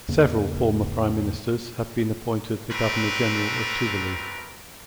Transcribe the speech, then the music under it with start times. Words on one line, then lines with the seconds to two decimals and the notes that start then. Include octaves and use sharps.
Several former prime ministers have been appointed the Governor-General of Tuvalu.
0.08 E2 C#3 A#3
2.70 A3 C4 D4 A#4 B4